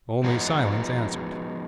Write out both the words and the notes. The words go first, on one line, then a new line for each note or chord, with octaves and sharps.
Only silence answered.
F3 G#3 B3 D#4 F#4